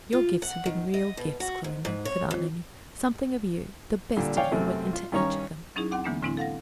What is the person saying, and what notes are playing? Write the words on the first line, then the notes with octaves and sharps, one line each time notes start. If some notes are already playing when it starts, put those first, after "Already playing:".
"Your gifts have been real gifts, Clorinda," said Aunt Emmy. "Something of you--the best of you--went into each of them."
F4
F#5
D#3
D#5
B2
F#4
G#2
G#2
C#5
F2
A#2 D3 G3
C#5 D5 F5 G5 G#5
F#2 C3 A3 C4
F4
G2 D#3 C#4 C#5 A#5 C#6
F#3 C#4 D#4 E4 G#4
D#2 C4 F#5 D6
D3 E3 G#3 A#3 B3 D4
A2 D3 G#3 C4 D4 E4
A4 F5 F#5 A#6